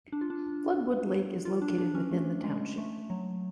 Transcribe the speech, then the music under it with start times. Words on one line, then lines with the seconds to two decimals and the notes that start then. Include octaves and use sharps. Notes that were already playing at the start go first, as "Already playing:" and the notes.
Floodwood Lake is located within the township.
0.12 D4
0.21 F4
0.30 D4
1.45 F4
1.62 D4
1.78 D4
1.95 C#4
2.11 A3
2.44 G#3
2.78 A3
3.10 F#3